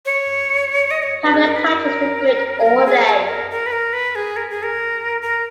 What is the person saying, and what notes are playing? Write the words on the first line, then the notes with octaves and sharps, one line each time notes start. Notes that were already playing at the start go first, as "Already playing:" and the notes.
Pablo touches the grid all day.
C#5
D#5
C#5
B4
G#4
A#4
B4
A#4
G#4
A#4
G#4
G#4
A#4
A#4
B4
A#4
B4
G#4
A#4
G#4
A#4
A#4